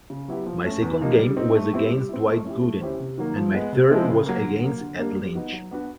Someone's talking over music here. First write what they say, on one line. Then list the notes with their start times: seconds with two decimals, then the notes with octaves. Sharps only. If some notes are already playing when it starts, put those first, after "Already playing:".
My second game was against Dwight Gooden, and my third was against Ed Lynch.
0.10 C#3
0.28 F#3 B3 E4 G4
0.46 F3
0.64 A3 C#4
0.82 E2
1.01 C3 F3 A#3 D#4
1.19 G3
1.37 C4 D#4
1.55 A3
1.73 C4 E4 G4
1.90 G3
2.09 C4 E4
2.27 A3
2.45 C#4 E4 G4
2.63 A3
2.81 C#4 E4 G4 C5
3.00 C3
3.18 D#3 F#3 A#3
3.36 F3
3.54 G#3 B3
3.73 C3
3.90 F3 G#3 C4 E4
4.09 C#3
4.26 F#3 A#3
4.45 D3
4.63 F#3 A#3
4.81 D3
4.98 G3 A#3 D4
5.16 G3
5.35 B3 D#4 F#4
5.52 F#3
5.71 B3 D4 F#4